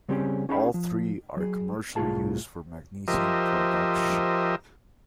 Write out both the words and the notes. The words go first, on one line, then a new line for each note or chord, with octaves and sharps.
All three are commercially used for magnesium production.
C#3 G3 C4 C#4 G4 G#4
C#4 D#4 G#4 F5 A5 B5
F3
F#3 G#4
C2 A2 F4 G#4 A5
F3 G4 A#4 C5 D#5 E5